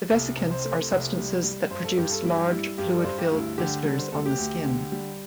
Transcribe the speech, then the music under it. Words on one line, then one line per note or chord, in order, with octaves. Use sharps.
The vesicants are substances that produce large fluid-filled blisters on the skin.
C2 A4
C3
C5
A3
C2
G3
G3
G2 C5
A4
G2 G4
A4
G3 E4
G4
E4
G3
G2 G4
A4
D5
G2 C5
G4
D2 E4
D3 G4
G3 A4
C5
D2 A4
G4
D2
D3
G3